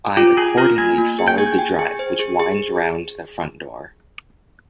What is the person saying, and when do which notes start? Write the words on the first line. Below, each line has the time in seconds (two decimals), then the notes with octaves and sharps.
I accordingly followed the drive which winds round to the front door.
0.17 F4 G4
0.37 F4 G#4
0.57 F4 A#4
0.78 A#3 G#5
0.98 A#3
1.19 G#4
1.28 G5
1.38 G#4 G#5
1.58 G5
1.79 G#4
1.99 C5
2.19 G#4
2.40 G#4